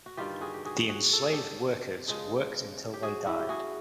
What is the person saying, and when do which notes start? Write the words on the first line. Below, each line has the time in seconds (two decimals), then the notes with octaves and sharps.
The enslaved workers worked until they died!
0.06 F#4
0.17 G2 D#3 G3 F4 G4
0.41 F#4 G#4
0.54 G4
0.65 F#4 G#4
0.89 F#4 G#4
1.13 A4
1.22 G#4
1.33 G4 A4
2.08 C#3 F3 G#3
2.94 G4
3.03 F#4 G#4
3.26 E4 F#4
3.40 G4
3.49 F#4 G#4